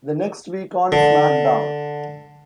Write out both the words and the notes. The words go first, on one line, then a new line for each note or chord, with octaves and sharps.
The next week on SmackDown!
D3